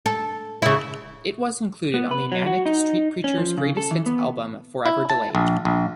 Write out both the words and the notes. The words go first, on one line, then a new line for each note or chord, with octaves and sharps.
It was included on the Manic Street Preachers' Greatest Hits album, "Forever Delayed".
A4
C#3 E4
B3
B4
F#3
F#4
D#4
C#4
F3
C#3
A4
E3
B3
E4
A5
A#1
A#1